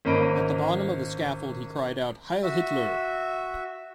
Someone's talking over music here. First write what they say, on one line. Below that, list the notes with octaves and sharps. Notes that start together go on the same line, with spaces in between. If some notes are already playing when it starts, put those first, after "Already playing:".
At the bottom of the scaffold he cried out "Heil Hitler!".
G#1 A#3 C#4 D#5 B5 D7
F#4 E5